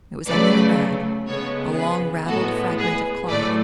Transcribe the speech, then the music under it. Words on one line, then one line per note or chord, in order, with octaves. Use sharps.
It was only a rag, a long, raveled fragment of cloth.
C#3 F#3 A3 B4 D5
C#3 G#3 B3 A4 C#5
G#4 B4
A2 G#3 B3 F#4 A4
G#4 B4
A2 F#3 A3 B4 D5